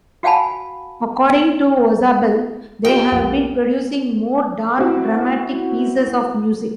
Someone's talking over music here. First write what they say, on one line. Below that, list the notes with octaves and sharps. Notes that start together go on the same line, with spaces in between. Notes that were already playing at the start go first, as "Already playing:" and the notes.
According to Orzabal, they have been producing more dark, dramatic pieces of music.
F#4 F5 F#5 G#5 A5 B5
F4 G4 B4 D#5 G5
B1 F2 A#3
C4 E4 F#4